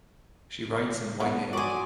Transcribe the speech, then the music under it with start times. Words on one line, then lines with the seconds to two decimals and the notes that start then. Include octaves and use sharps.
She writes in white ink.
1.20 D3 B3
1.53 F#3 D5 G#5 C6 D#6